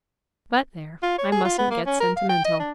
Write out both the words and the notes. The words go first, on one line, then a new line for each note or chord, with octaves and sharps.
But there, I mustn't get sentimental.
F4
C#5
G#4
F4
B3
A#3
C#4
A#4
F5
G5
D#5
D4